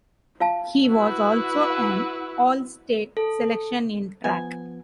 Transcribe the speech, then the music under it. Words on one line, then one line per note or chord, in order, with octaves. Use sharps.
He was also an All-State selection in track.
F4 F5 A5
E4 F#4 B4
A4
F3 B3 G#5